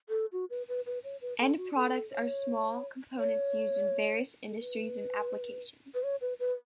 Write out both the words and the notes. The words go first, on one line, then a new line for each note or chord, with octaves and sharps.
End products are small components used in various industries and applications.
A4
F#4
B4
B4
B4
C#5
B4
A4
F#4
A4
C#5
C#5
A4
B4
B4
C#5
B4
B4